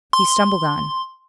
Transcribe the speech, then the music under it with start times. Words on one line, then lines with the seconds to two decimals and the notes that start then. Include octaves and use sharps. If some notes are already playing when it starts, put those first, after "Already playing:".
He stumbled on.
0.13 C6